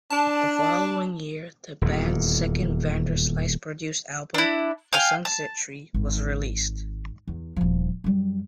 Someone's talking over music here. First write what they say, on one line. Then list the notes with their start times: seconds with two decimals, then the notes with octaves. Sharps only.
The following year, the band's second Vanderslice-produced album, "The Sunset Tree", was released.
0.10 D4 A5
1.81 D#1 E2
4.34 D4 E4
4.93 F5 G5 G#5 F6
5.25 A5
5.94 G#1
7.28 E2
7.56 D#1 F3
8.04 F#2 G3